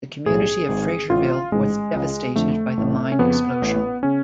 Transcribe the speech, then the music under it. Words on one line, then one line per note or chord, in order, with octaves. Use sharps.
The community of Fraterville was devastated by the mine explosion.
B1 A2 G#4
G#1 G#2
A1 A2 F4
A1 G#2 G#3
C#2 C#3
F2 D3 A3
A1 A2
C#4
F2 C#3 B3
A1 A2
C#3 C#4